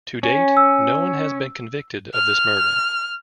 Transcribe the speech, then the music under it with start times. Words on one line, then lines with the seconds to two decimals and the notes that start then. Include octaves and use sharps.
To date, no one has been convicted of this murder.
0.23 C#4
0.57 E6
2.14 F6